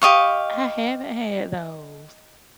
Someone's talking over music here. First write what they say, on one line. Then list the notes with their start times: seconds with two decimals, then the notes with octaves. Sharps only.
I haven't had those.
0.02 G4 D#5 F5 C#6